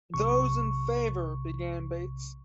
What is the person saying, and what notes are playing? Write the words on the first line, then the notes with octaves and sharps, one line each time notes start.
"Those in favour..." began Bates.
B1 C3 C#6